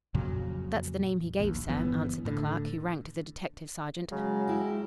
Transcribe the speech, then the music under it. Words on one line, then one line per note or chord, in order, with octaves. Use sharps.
"That's the name he gave, sir," answered the clerk, who ranked as a detective-sergeant.
F2 A#2 C#3 F#3
A#1 D#2
G1 E3 B3
A2 D3
C#3 F#3 G#3
E4 G4